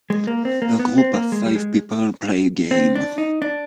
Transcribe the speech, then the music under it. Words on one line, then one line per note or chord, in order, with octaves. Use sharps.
A group of five people play a game.
G#3
A#3
C4
A#3
B3
C4
A#3
G#3
G3
G#3
C4
D4
D#4
D4